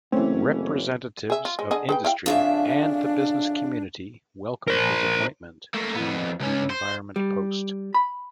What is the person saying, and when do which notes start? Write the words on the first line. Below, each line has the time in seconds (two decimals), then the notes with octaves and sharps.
Representatives of industry and the business community welcomed his appointment to the environment post.
0.12 F#1 E3 A3 C4 C#4
1.30 G#4 E5
1.45 F4
1.59 G#3
1.71 D3 G#4 D#5
1.89 G#4 B4 G5
2.05 E4 F5 G5
2.26 F2 C#3 D4 E5
4.68 A#4 C5
5.74 A3 A#3
5.95 F2 B3
6.40 C#2 C#4
6.70 C5
7.16 G3
7.94 B5